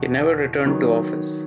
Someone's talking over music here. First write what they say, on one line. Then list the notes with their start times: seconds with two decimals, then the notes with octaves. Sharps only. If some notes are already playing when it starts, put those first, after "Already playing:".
He never returned to office.
Already playing: E2 B2
0.65 D#3 F#3 B3